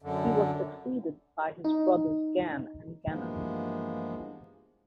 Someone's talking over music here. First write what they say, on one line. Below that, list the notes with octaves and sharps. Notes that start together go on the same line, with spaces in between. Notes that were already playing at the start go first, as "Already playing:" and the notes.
He was succeeded by his brothers Gann and Genann.
F#2 D3
D#4
G2 E3 F3 G#3 A#3 B3